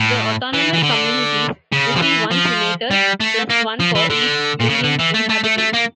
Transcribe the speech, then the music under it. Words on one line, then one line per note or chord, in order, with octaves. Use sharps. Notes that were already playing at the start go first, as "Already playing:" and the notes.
The autonomous communities receive one senator, plus one for each million inhabitants.
Already playing: A2
E3
E3
D3
C#3
F3
E3
F3
G3
A3
A#3
F3
E3
D3
A#2
C#3
D3
E3
A3
A3
A3
A3
A#3